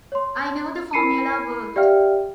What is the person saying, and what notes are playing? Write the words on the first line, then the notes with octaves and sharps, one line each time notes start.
I knew the formula worked.
C#5 C6
E4 A#4 B5 C7 C#7 D#7
G4 D5 E5 F5 G5 F6